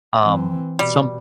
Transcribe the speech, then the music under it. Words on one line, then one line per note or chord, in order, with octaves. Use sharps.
Um, some
E3 C4
B2 G3